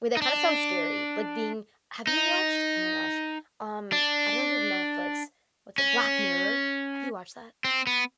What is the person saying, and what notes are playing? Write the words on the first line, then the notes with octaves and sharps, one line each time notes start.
Wait, that kinda sounds scary, like, being have you watched oh my gosh, um, I don't know if you've Netflix. What's it Black Mirror! Have you watched that?
D#4
D4
D#4
D4
C#4
C4
B3